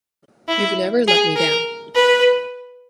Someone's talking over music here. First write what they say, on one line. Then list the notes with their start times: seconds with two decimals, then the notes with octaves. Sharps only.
You’ve never let me down.
0.48 E4
1.07 G#4
1.36 A#4
1.95 B4